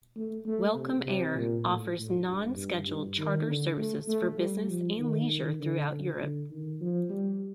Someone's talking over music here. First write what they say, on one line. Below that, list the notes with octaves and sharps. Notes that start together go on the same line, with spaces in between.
Welcome Air offers non-scheduled charter services for business and leisure throughout Europe.
A3
A3
C3
C3
A#2
A2
A2
G2
G2
G2
D#3
D3
A3
A3
G3
F3
D#3
D#3
D3
D3
D3
D#3
F3
G3